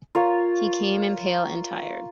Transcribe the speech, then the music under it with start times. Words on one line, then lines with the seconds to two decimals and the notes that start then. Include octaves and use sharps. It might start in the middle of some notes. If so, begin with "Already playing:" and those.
He came in pale and tired.
0.15 F4 A#4 C#5